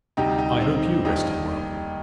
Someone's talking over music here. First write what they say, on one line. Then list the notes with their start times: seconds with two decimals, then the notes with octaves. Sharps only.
I hope you rested well.
0.17 D2 C3 G3 D#4 G4
0.38 D#4 G4
0.61 C4 D#4
1.05 F1 D#2 D3 G3 D#4 G4